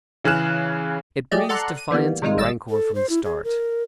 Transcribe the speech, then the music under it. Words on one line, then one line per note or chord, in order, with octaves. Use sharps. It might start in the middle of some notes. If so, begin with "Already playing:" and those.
It breathes defiance and rancor from the start.
C#3 E3 G#4 F6 F#6 E7
F#3 A3 G4 G#4 D5 D#5
A4 D5 F#5 A#5 C6 F#6
D#7
E3 G3 A#3 B3
C3 D#3 G3 G#3 D#4 F4
G1 G3 D#5 E6 A6
A4
C5
E4
G#4
A#4